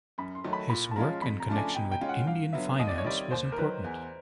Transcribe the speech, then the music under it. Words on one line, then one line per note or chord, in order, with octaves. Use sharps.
His work in connection with Indian finance was important.
F#2 B5
C6
D#3 F#3 A3
B5
A#2 B5
A5
F3 G#3 C#4 F4 A#5
F2 B5
A#5
C#3 F3 A3 D4
G#5
B2 G5
G5
G#3 C#4 F4
F#5
G2 F5
D3 F#3 B3 E5
D#2 D#5
D5
C#5
D#3 G3 C4 D5
D#2 C5
A#4
D#3 F#3 B4
E2